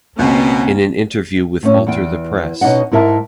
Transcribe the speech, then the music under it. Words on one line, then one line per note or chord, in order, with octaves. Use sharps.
In an interview with Alter The Press!
C#2 B2 A#3 C4 C#4
A2 C#4
E2 B3 G5
B2 C#4 D#4 D#5 F#5
G#2 E4 A#4 E5 A5